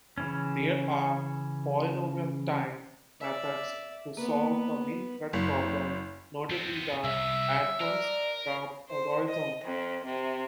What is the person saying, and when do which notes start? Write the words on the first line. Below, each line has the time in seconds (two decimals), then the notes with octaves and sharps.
There are polynomial-time methods to solve the min-cut problem, notably the Edmonds-Karp algorithm.
0.18 C#3 E3 C#4
3.21 D5 E5
4.17 A#3 B3 B4
5.33 F#1
6.50 B3 C4
7.04 C2 E5
7.81 A#4 D5
8.89 C5
9.27 D#5
9.64 F2
10.04 C3